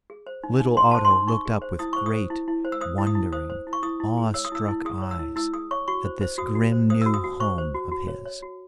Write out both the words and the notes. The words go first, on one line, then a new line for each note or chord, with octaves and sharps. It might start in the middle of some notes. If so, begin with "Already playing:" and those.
Little Otto looked up with great, wondering, awe-struck eyes at this grim new home of his.
G#4
C5
D#4
D#4
G#4 C6
C5 A5
C6
D#4
D#4 C#6
G#4
C5
E4 D#6
C5 C#6
D#6
C5
E4
E4
C5
E6
C5 D#6
E4
D#6
E4
C5 D#6
C5
E4
C#6
E4 D#6
E4
G#4
C#5 E6
D#6
E4 E6
E4
G#4 D#6
C#5
E6
E4
E4 E6
G#4 D#6
C#5 C#6
F#4 C#6
C5
C5
F#4 D#6
F#4
C5
C5 D#6
F#4 E6
D#6
F#4
C5 C#6
C5
F#4
F#4
C#5
C#5
F#4